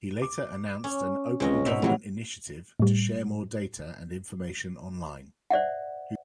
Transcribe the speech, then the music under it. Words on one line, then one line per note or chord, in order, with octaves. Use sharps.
He later announced an "Open Government Initiative" to share more data and information online.
D6
C#4
C#2 C3 C#4 D#5
G#2 B2 E5 F7
F2 A2 C#3 E3 F#3 G3 F#4
A2 G3
C5 D5 E5 F#5